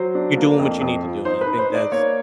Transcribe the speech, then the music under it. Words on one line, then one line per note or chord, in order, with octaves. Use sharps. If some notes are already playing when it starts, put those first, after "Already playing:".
you're doing what you need to do," and I think that's
Already playing: F#3 C5
D4
A#3
F2
F2
F3
D#4 C5
B4
D#4
C5
D#4 D5
A#3 C#5